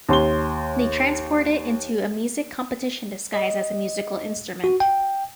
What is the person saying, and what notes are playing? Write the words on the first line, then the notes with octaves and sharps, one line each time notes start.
They transport it into a music competition disguised as a musical instrument.
D#2 C6 G7
D#5
F#4
G5